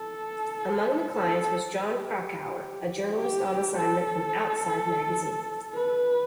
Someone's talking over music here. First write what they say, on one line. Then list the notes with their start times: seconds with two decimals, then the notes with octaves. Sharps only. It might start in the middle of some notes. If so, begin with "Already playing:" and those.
Among the clients was Jon Krakauer, a journalist on assignment from "Outside" magazine.
Already playing: A4
1.14 A4
1.79 G4
3.12 G4
3.77 A4
5.74 B4